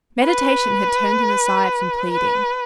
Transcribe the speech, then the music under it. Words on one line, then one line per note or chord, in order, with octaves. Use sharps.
Meditation had turned him aside from pleading.
B4
B4